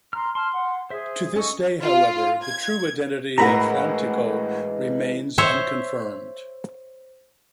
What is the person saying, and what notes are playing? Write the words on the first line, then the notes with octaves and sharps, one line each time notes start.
To this day however, the true identity of Frantico remains unconfirmed.
A#5 C6 F6
A5 C6 F6
F#5
G#4 C5 E5
C#4 G#4 A4 D#5 C#6
F4
G#6
A2 E3 G#3 A#4 F#5 A#5 B5
C5 C#5 E5